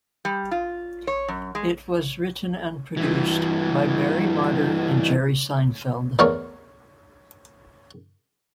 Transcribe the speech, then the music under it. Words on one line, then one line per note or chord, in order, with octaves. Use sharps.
It was written and produced by Barry Marder and Jerry Seinfeld.
G3
F4
C#5
F#2
G#3
G2 E3
E2 D3 A3 A#4 C#5